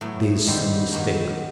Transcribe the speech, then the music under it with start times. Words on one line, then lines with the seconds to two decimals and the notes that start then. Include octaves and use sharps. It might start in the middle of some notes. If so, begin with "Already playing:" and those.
"There is some mistake."
0.01 A2 F#3 B3
0.47 G#2 D#3 G3 C4 F4
0.92 G2 D#3 F#3 A#3